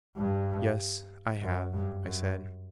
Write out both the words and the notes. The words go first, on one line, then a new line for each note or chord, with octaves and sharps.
"Yes, I have," I said.
G2
F#2
G2
F#2